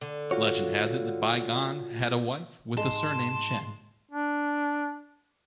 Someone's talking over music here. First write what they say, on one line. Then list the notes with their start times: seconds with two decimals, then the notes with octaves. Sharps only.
Legend has it that Bi Gan had a wife with the surname Chen.
0.01 D3
0.31 F4 F#4 C#5
2.77 G#2 G#3 A5 C6
4.11 D4